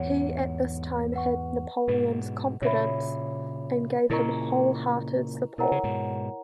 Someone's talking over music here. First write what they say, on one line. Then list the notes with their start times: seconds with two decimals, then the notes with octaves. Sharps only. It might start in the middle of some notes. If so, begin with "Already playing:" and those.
He at this time had Napoleon's confidence, and gave him wholehearted support.
Already playing: E2 G#2 C#5 F#5
1.13 B4 F#5 C#6
1.88 G#2 B2
2.62 A#2 C#3 C#5 E5 B5
4.10 A#2 C#3 E4 A#4 D#5 A#5 C#6
5.58 B2 E4 A#4 C#5 F#5 A#5
5.72 C#3
5.83 G#2 B2